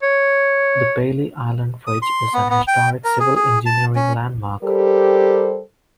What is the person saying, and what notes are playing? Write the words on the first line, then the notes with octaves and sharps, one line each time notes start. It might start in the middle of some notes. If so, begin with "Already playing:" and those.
The Bailey Island Bridge is an Historic Civil Engineering Landmark.
C#5
D#6
C6
B3
B3
G5
A#4
G#4
G#4
A5
C#4
G3 G4 A4 A#4 C5